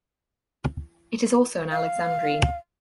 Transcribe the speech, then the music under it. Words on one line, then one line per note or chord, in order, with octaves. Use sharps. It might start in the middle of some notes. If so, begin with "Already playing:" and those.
It is also an alexandrine.
F5